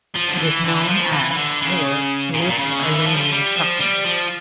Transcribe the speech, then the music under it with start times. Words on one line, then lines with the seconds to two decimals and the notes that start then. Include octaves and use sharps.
It is known as or to local Iranian Turkmens.
0.16 F3
0.29 D3
0.40 E3
0.65 D3
0.83 E3
0.88 F3
1.13 E3
1.31 E3
1.37 D3
1.62 C#3
2.34 A#2
2.42 C#3
2.50 A#2
2.59 C#3
2.83 D3
2.95 E3
3.07 F3
3.15 G3
3.20 F3
3.32 G3
3.56 F3
3.80 G3
4.04 F3